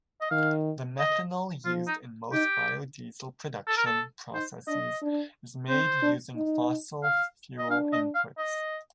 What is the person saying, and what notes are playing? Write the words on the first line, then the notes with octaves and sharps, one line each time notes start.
The methanol used in most biodiesel production processes is made using fossil fuel inputs.
D#5
D#3 F5
D#5
F3 F4
D#4
D#4 G4
A4
A#4
A4
D#4 C5
D4 D#5
D4
C4 C5
D4
D#4
F5
D#5
D4 F5
D#5
F5
D#5